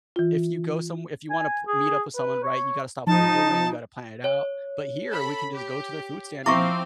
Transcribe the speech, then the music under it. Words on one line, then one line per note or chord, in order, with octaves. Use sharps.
if you go somew if you wanna meet up with someone, right? You gotta stop what you're doing, you gotta plan it out, but here we can just go to their food stand and
E3 F4
G#5
G#4
B4
C#5
F3 D#4 A5
C#5
A4 B5
G4
F3 C4 E4 E5 F5 C#6 D6